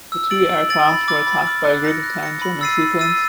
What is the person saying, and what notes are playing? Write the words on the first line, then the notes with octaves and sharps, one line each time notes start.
The two aircraft were attacked by a group of ten German seaplanes.
E6
A6 D7 F#7
E6
A6 D7 F#7
B5
D6 F6 A6
B5
D6 F6 A6
F#6
A#6 C#7
F#6
A#6 C#7
B5
E6 A6 C7 D#7
B5
E6 A6 C7 D#7